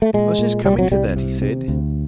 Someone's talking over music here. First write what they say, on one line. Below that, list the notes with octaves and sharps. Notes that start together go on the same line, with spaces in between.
"I was just coming to that," he said.
A3
A#2 G#3
A#2
C2 G3
F#3
C2 G3
C3
C3
D2